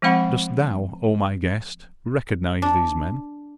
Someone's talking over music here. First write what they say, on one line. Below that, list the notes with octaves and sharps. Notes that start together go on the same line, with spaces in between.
"Dost thou, oh my guest, recognise these men?"
F3 G#3 C4 F#5 B5
D4